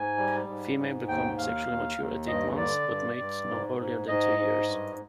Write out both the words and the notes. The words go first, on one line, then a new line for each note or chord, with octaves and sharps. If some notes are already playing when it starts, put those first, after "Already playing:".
Females become sexually mature at eight months, but mate no earlier than two years.
Already playing: G#2 G#5
G3
G#2
G#2
D#2 G5
D#2 F5
D#2
D#2
G2 D#5
D3 D5
G2
G2
G#2
G#2
G#2 D#5
G#2
G2